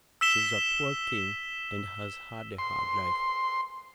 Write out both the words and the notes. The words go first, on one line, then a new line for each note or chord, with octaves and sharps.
She's a poor thing and has had a hard life.
E6 B6 E7 G7
C6